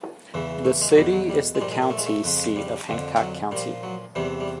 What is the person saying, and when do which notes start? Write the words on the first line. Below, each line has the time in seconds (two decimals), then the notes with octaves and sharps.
The city is the county seat of Hancock County.
0.34 E2 C#3 E3
0.65 A3
0.82 G#3
0.91 F#3
0.97 E2 B2 G3
1.13 F#3
1.29 G3
1.55 G#3
1.61 A#2 F3 G3
1.72 G#3
1.82 A#3
1.90 A3
1.98 G#3
2.06 A3
2.24 F2 C#3 F3
2.56 G3
2.88 F2 D3 F3
3.20 F#3
3.51 A#2 F3 G3
3.83 F#3
4.15 E2 C3 E3 G3
4.40 G3